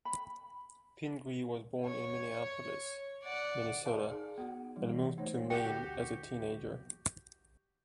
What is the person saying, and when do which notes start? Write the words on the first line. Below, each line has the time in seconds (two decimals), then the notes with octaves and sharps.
Pingree was born in Minneapolis, Minnesota and moved to Maine as a teenager.
0.05 B5
1.86 C#5
3.23 D5 F#5
3.85 A#4 D5 F5 G#5 A5
4.10 D#4 G#4
4.38 B3 F#4 F#5
4.76 E3 G3 D#4
5.18 A3 D#4 C5 C#5
5.50 F#4 G4 G5